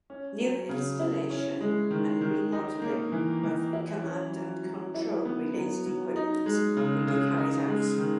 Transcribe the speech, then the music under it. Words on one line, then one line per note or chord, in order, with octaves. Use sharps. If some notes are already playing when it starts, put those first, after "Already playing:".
New installation and remodeling of command and control related equipment will be carried out.
C#4
F#3
C#3
E4
C#4
G#3
D#3
D#3
D#4
A#3
E3
E3
E4
C#4
F#3
F#3
E4
B3
F#3
F#3
D#4
G#3
C#3
C#3
D#4
G#3
D#3